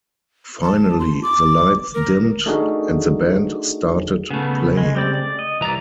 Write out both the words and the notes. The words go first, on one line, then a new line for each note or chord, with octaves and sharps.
Finally, the lights dimmed and the band started playing.
A5
C6
D6
A#4
A3 D4 D#4 F#4 G#4 A#4
C#3 A3 B3
G#3
G3 C4 D5
D5
D#5
C2 E3 D5 A#5